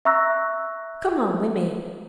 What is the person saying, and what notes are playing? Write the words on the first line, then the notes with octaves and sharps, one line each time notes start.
Come home with me.
E5 A#5 C#6 E6 F#6 A#6